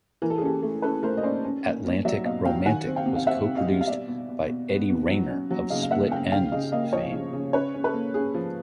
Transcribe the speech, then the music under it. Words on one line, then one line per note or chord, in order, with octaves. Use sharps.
"Atlantic Romantic" was co-produced by Eddie Rayner of Split Enz fame.
E3 A#4
A4
G#4
C#4 G4 A4
A3
C#4 A4 B4
A3 A#4 C5
D#5
C#4 C5 D5
C#4
A#3
A#3
F#3 D5 E5
B2 D#5 F5
F#3 F5 G5
D#3 F#5 G#5
C4
F5 G5
C3
F5
C4 E5 F#5
C3
D#5 F5
G3
F5
B2 D5 E5
B2
B2
B2
B3
B2
F#3
C#4
F#3
C#3 D#5 F5
F5
A#3 E5 F#5
C#3 F5 G5
C#3 F5 G5
C#3 D#5 F5
A#3 D#5 F5
F3 C#5 D#5
C#3
C#3
C#4 B4 C#5
C#4
A4 B4
A#3
C#4 G#4
F3